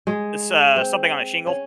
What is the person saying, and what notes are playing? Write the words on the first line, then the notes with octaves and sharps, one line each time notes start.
it's, uh, something on a shingle.
G#3
C4
C#4